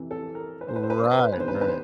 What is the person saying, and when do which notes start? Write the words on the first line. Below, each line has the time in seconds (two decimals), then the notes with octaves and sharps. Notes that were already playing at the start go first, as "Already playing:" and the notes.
Right, right.
Already playing: F2 C3 E3
0.11 A4
0.35 A#4
0.61 B4
0.68 C5
0.76 B4
0.83 C5
0.90 B4
0.98 C5
1.04 B4
1.12 C5
1.19 B4
1.26 C5
1.32 B4
1.37 E2 C3 D#3 C5
1.48 B4
1.55 C5
1.61 B4
1.69 C5